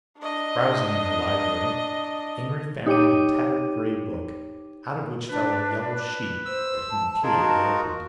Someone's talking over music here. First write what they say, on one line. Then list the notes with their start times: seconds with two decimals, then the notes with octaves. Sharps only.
Browsing in her library, Amory found a tattered gray book out of which fell a yellow sheet that he impudently opened.
0.18 D4 D#5
2.86 D#4 G4 C#5 G5 D6 D#7
5.29 D4 B4
6.45 C5 E6
6.88 A5
7.23 D#4 F4 G#4 A#4
7.41 F#4